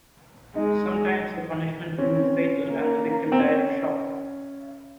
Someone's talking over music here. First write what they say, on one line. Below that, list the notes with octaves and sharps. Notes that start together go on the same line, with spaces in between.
Sometimes the punishment proved fatal and the victim died of shock.
G#3 D#4
C4 C#4
A#3
C4
C#4